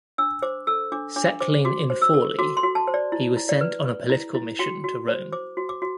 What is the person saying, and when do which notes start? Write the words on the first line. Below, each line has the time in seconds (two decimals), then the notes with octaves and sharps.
Settling in Forli, he was sent on a political mission to Rome.
0.18 D4 E6
0.42 C5 D6
0.67 A4 E6
0.92 D4 D6
1.16 D4 D6
1.40 C5 D6
1.65 F#4 D6
1.90 C5
2.02 E6
2.14 A4
2.39 F#4 D6
2.57 C6
2.63 F#4
2.75 A5
2.87 C5
2.94 D5
3.12 E4
3.37 E4
3.49 D5
3.61 B4
3.86 B4
4.10 E4
4.34 E4
4.59 F#4 G5
4.84 F#4
5.08 C5
5.32 C5 D6
5.57 F#4
5.69 D6
5.82 F#4